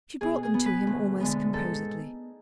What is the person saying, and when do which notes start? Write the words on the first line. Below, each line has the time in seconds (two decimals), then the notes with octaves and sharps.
She brought them to him almost composedly.
0.21 B2 G#4
0.43 G#4
0.54 B3
0.66 B4
0.87 D2
1.20 D3 G#3 B3
1.53 G#2 A4